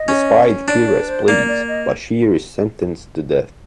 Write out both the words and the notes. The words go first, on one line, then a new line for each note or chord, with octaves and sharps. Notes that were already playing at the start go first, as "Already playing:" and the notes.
Despite Kira's pleas, Bashir is sentenced to death.
Already playing: D#5
C#4
D4 D5
D5
C#5
B4
C5
A#3 D5
D5
D#5